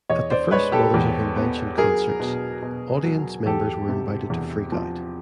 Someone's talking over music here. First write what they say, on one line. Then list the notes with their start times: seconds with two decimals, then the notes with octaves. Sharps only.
At the first Mothers of Invention concerts, audience members were invited to freak out!
0.10 E2 C#5 D#5
0.30 C5 D5
0.51 G#3 B4 C#5
0.72 G4 A4
0.94 E2
1.36 B3
1.78 F#3 G#4 A#4
2.20 B2
2.62 B2
3.04 F#3
3.46 E2 G4 A4
3.89 C3
4.30 E2
4.72 F3